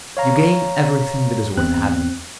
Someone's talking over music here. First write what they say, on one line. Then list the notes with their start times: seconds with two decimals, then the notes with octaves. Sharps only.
You gain everything that is worth having.
0.17 C#5 F5 A#5
1.57 E2 C4 F#6